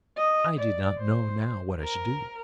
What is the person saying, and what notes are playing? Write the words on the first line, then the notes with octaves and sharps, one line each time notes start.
I did not know now what I should do.
D#5
D5
C5
A#4